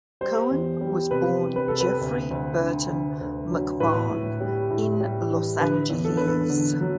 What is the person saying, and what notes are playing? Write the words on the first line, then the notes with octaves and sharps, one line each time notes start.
Cohen was born Jeffrey Bertan McMahon in Los Angeles.
G3 C5
E2
G3
C3 B4
G3
B4
C3 A4
B4
D2
D2
D3
D3
D2
F#3
A2 B4
A2
G3
A2
G3
E3
D3 B4
E2
A4
E2 B4
A4
D3
F#3